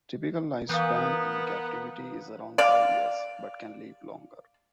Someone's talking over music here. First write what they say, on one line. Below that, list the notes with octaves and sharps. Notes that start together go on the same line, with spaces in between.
Typical lifespan in captivity is around five years, but can live longer.
E3 B3 A#4 F5 D#6 G6
D5 F5